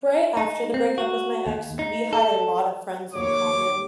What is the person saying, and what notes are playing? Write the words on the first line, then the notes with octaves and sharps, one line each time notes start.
right after the breakup with my ex, we had a lot of friends in common,
D#4
C4
F#4
D#2
D#4
A4
D#2 C#5 D6